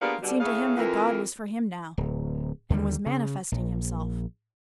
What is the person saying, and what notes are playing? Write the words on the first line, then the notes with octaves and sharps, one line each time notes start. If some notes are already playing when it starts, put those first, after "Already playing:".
It seemed to him that God was for him now, and was manifesting Himself.
A#3 B3 D4 F4 G4 G#4
B2 D3 G3
A2 C#3 G#4 C#5 E5 F5
F2 E3 A#4
D1
D#2 D3 F#3 G3
C#3
A#1